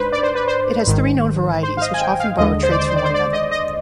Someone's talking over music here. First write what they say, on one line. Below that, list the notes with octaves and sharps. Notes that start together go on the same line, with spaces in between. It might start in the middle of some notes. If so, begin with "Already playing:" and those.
It has three known varieties, which often borrow traits from one another.
Already playing: G#2 D4 B4 C5
D5
C5
B4
C5
G#1 G#2 D#3
C5
F5
D#5
G#5
G5
F5
D#2 D3 G#3 D#5
C5
D5
C5
C5
D5
C5
D5
D#5
D#5